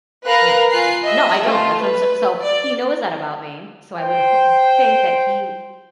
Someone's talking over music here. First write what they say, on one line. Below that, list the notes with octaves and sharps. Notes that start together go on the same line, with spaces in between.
No, I don't. No, I don't, that's what I'm so so he knows that about me, so I would ho think that he
A#4 B4 F5 A#5 F#6
F4 G#5 F#6 C7
D#5 E5
A3 F4
B4
D5
C5 G5